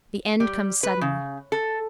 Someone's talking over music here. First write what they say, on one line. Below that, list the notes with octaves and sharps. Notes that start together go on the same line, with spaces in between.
The end comes suddenly.
G3
B4
C#3
A4